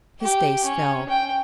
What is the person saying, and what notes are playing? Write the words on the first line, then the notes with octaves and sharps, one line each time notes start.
His face fell.
G4
C#4
G5